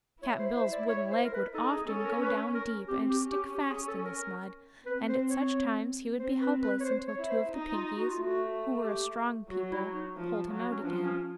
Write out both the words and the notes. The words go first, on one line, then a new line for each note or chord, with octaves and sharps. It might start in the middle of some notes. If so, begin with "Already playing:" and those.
Cap'n Bill's wooden leg would often go down deep and stick fast in this mud, and at such times he would be helpless until two of the Pinkies--who were a strong people--pulled him out again.
E4 C#5
C5
C5
D5
C#5
C5
A#4
B4
D#4 A4
G#4
C#4 A4
A4
A#4
B4
A#4
C4 G4
G4
C#4
G4
G4
G#4
A4
A#4
C4 B4
C5
C#5
C4 C5
B4
B4
C#5
C5
C#5
E4
C5
D#4
F4
F#4
F4
A3 F#4
G4
F#3 F#4
E4
D#4
F3
F#3
C#4
F3 D4
C#4